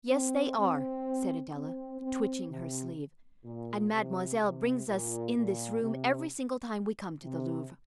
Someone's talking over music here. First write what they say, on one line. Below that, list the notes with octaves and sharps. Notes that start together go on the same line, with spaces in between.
"Yes, they are," said Adela, twitching her sleeve, "and Mademoiselle brings us in this room every single time we come to the Louvre."
C4
C4
C4
C4
C3
A#2
C3
C3
A#2
A#2
C3
C3